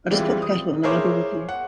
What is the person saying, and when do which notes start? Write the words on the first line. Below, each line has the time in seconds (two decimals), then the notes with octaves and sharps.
I'll just pop the kettle on and then I'll be with you.
0.10 E3 G3 G#3 C4 E4 F4
0.42 D#6
0.83 E4 G#4 A#4 C5 C#5 D6
1.49 F#5